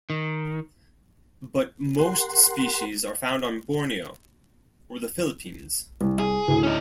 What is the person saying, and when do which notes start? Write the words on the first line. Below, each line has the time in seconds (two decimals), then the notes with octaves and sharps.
But most species are found on Borneo or the Philippines.
0.10 D#3
1.99 G4 A#4 F#5 C6
6.01 C2
6.19 G#4
6.48 D2 A2
6.63 C#4 D#4